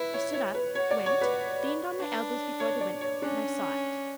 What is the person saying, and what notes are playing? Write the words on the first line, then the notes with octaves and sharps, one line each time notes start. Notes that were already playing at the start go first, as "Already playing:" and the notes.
I stood up, went, leaned on my elbows before the window, and I saw it.
Already playing: E4 B4
C#5
C#5
B4
F#4 C#5
D5
C#5
B4
D4
C#5
D5
C#5
C#4 D4